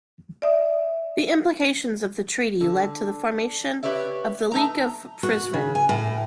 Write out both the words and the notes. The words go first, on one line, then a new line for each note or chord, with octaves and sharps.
The implications of the treaty led to the formation of the League of Prizren.
D5 E5 D#6
D3
G4 B4 C#5 D5 E5
A3 D#4 A#5
F#4
C#3
G#5
A2